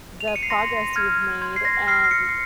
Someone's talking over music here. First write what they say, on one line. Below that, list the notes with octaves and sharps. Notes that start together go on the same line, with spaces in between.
the progress you've made and
F7
D#7
C#7
C7
C6 A#6
F6 G#6
C6 G#6
C7
A#6
F6 C7
C7
C#7
C7